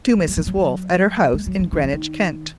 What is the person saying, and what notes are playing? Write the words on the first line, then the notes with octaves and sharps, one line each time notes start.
To Mrs. Wolfe, at her house in Greenwich, Kent.
G#3
F#3
F3
F#3
F#3
G#3
F#3
F3
D#3
F3
D#3